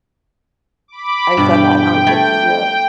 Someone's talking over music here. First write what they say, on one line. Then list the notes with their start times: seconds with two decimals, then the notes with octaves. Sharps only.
I said that, now he perks his ear up-
0.88 B5 D6
1.37 G2 B2 G5
2.07 A3 G#5 B5